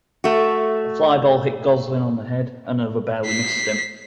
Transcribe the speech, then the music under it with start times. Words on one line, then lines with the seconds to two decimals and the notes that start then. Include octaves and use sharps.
A fly ball hit Goslin on the head, and another barely missed him.
0.24 A3 F#4
3.26 B6 C7